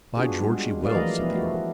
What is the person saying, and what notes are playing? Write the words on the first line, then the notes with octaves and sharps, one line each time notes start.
"By George, he will," said the earl.
B3 D4 F4 F#4 G#4
G3 G#3
F#4 G#4 B4 D5 F5
E3 F3 A3 A#4 D#5
F3 B3 E4 G4
A3 F#4